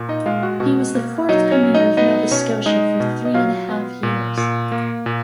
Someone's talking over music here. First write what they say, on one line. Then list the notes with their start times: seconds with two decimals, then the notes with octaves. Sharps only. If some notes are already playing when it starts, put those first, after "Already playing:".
He was the fourth Premier of Nova Scotia for three and a half years.
Already playing: A#2
0.09 D#4 D#5
0.26 G#3 F4 F5
0.43 F#4 F#5
0.60 B2 F#4 F#5
0.94 A#3
1.29 F#3 D#4 D#5
1.51 C#4 C#5
1.63 F#3
1.75 D#4 D#5
1.97 B3 D#4 D#5
2.31 B2 C#4 C#5
2.66 G#3 D#4 D#5
3.00 B2
3.25 D#5
3.34 F#3 F4 F5
3.69 B3
4.03 A#2
4.37 A#2
4.72 A#3
5.06 A#2